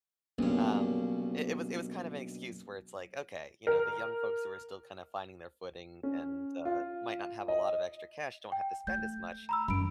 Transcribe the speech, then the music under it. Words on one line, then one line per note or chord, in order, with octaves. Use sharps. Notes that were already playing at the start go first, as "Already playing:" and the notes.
um, it it was it was kind of an excuse where it's, like, okay, you know, the young folks who are still kind of finding their footing and, uh, might not have a lot of extra cash, don't have to spend as much.
B1 G2 A#3 C#4
A#4
C#4
F4
D#5
G5
A3 G6
A#5 B5 E6
F#2 D#3 B5 D7